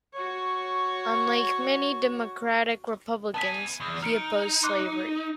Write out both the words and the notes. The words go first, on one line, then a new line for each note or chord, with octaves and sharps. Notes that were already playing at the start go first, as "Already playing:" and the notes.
Unlike many Democratic-Republicans, he opposed slavery.
F#4 C#5
B3 G#5 A5 D#6 B6
E2
D#4 F6 C#7 D7
C6 D6 F#6